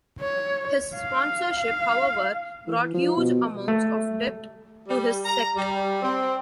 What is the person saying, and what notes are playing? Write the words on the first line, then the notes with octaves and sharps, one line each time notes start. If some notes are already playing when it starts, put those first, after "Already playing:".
His sponsorship, however, brought huge amounts of debt to his sect.
C#5
F5
F5
E3
F3
B2
A3
G3
A#5
G3
C4